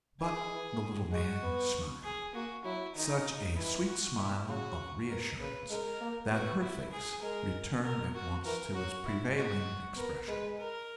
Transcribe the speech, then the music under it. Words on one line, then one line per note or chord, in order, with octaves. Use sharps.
But the little man smiled--such a sweet smile of re-assurance, that her face returned at once to its prevailing expression of content.
D#3 G#4
E3
G#3 F#4
B3
G#4
A#3 F#4
F#3 E4
D#3 D#4
E3 E4
F#4
D#3 E4
C#3 F#4
B2 A#4
C#3 B4
G#3 A#4
A#3
B3 F#4
E4
G#4
G#3 A#4
A#4
F#4
E3 A#4
F#3 F#4
E4
G#3 F#4
B3 A#4
G#3 B4
A#4